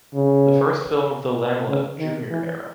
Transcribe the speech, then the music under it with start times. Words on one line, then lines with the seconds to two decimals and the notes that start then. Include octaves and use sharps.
The first film of the Laemmle Jr. era.
0.14 C#3
1.68 C#3
1.99 D#3
2.30 E3